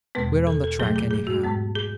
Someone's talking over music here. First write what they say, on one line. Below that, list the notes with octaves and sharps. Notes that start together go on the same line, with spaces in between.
We're on the track anyhow.
E2 B2 G#3 B3 B4
A4
A4
B2 F#3 A3 G#4
G#4
G#4
F#4
G#2 G#3 B3
G#4